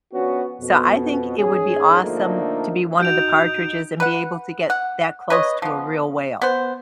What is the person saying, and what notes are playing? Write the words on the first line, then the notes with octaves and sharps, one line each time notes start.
so I think it would be awesome to be one of the Partridges, and be able to get that close to a real whale.
F3 B3 C#4 D4 F#4
F2 B2
D#2 G#2 C#4 G#4
D3 F3 A3 A#3 D4 D#4
D#4 F#4 G6 D7 F7
B4 F#5
F#5
B4 C#5 D#5
F3 B3
B3 C5